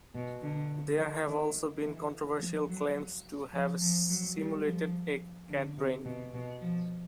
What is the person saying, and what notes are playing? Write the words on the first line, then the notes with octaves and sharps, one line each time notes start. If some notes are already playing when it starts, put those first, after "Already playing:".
There have also been controversial claims to have simulated a cat brain.
B2
D3
D#3
D#3
E3
F3
F#3
F3
F3
F#3
G3
F3
D3
C3
B2
B2
F3